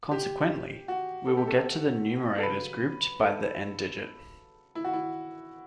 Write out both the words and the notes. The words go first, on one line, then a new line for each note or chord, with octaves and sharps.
Consequently, we will get the numerators grouped by the end digit.
G4
F#4
A4
G4
A4
A4
C#3 F#3 B4
A4
E4
F#4
E4